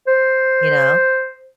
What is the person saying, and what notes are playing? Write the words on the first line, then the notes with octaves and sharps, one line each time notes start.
you know?
C5